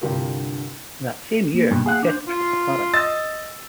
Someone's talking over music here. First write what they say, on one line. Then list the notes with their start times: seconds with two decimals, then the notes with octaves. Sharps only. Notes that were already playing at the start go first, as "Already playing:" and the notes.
That same year he tested for McLaren.
0.02 C2 G2 D3 F4 G4 A#4
1.54 A#3
1.71 G2 B2
1.86 G#4 F5 F#5
2.03 D4 C5
2.27 F4
2.93 D#5 E6 A6